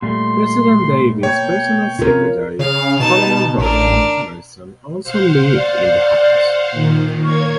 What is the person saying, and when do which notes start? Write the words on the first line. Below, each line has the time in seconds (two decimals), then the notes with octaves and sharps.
President Davis' personal secretary, Colonel Burton Harrison, also lived in the house.
0.02 A#2 G3 A3 C6
1.23 B2 A#3 C#5 G5
1.99 C3 C4 C#4 F4 A#4
2.59 C#3 F5
3.00 B2 D#4 A5
3.58 A1 D4 A#4
5.03 C5 F5 F#5
5.55 D5
6.71 A#2 D#3
7.24 A#3 C#5 C#6 G#6